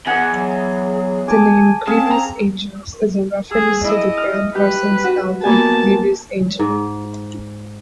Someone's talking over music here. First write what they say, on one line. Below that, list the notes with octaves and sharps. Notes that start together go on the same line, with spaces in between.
The name "Grievous Angels" is a reference to the Gram Parsons album Grievous Angel.
E2 G#4 D#5 F#5 G#5
F#3
G#5 A5 D6
C4 C#4 G#4 F5 A5
A#5
G#4 E6
E4 D#5 E6
F6
G4 B4
F#4
A#3 B3 G#5 A5
G#2